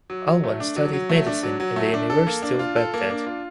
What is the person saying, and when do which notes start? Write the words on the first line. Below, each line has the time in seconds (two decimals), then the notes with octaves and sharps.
Alwan studied medicine at the University of Baghdad.
0.10 F#3
0.27 F#3
0.44 A3
0.60 D4
0.76 F#3
0.93 F#3
1.09 A3
1.26 D4
1.43 F#3
1.60 F#3
1.76 A3
1.94 D4
2.10 A4
2.27 A#3
2.43 D4
2.59 F4
2.76 A4
2.94 A#3
3.10 D4
3.26 F4